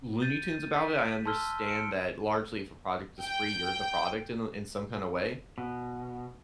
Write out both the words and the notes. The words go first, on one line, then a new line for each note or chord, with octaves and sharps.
Looney Tunes about it, I understand that largely if a product is free, you're the product in a in some kind of way.
G6 A6 D#7
B6
A5 C6 E6 F6 G7
F6 C#7 D7
G5
B2